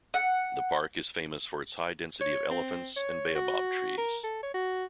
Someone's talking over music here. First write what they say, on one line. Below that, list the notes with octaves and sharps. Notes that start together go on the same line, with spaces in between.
The park is famous for its high density of elephants and baobab trees.
F#5
C#5
C4
C#5
F#4
A#4
A4
C#5
F#4